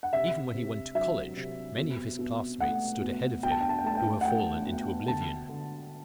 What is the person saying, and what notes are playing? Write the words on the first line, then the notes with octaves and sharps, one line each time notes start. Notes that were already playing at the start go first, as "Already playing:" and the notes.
Even when he went to college many of his classmates stood ahead of him, who have fallen into oblivion.
F#5
C3 E5
C3
F#3 E5
C3
B2
B2
A3 F#5
B2
B2 G5
A5
G5
A5
G5
A3 A5
G5
F#5
A3 G5
B2
D3 A5
D3